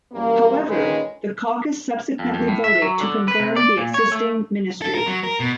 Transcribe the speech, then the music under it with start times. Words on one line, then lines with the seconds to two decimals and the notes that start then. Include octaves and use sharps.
However, the caucus subsequently voted to confirm the existing ministry.
0.12 F#2 E3 G3 A#3
0.68 A#2 D3 D#3 G#3 C#4 B4
2.19 F2
2.34 F2
2.48 A2
2.64 E5
2.82 F#3
3.01 D3
3.28 B4
3.40 C3
3.56 D5
3.78 A#2
3.94 C#5
4.12 A3
4.82 A4
4.95 A#4
5.07 F#3
5.24 A#4
5.40 B2